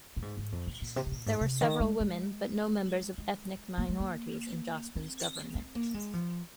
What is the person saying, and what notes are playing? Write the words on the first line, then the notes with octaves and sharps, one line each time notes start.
There were several women but no members of ethnic minorities in Jospin's government.
A#2
G#2
G#2
F2
A#2
A#2
C3
C3
A#2
G#2
C3
D#3
G#3
G#3
G#3
A#3
G#3
A#3
C4
C4
A#3
G#3
F3